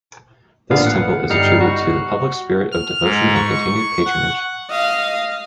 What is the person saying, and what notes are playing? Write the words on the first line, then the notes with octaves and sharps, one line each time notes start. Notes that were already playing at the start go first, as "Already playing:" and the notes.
This temple is a tribute to the public spirit of devotion and continued patronage.
A1 A#2 D3 B3 F5
F#5
G1 G3 D#4 F6 C7 C#7
F#4
F6
G#2
C#6
F#5
D#5 F5